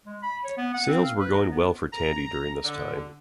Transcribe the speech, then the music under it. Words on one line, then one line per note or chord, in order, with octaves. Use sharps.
Sales were going well for Tandy during this time.
G#3
B5
C#5
B3
F#5
C4
F5
B4
D#4
B3
A#5
D3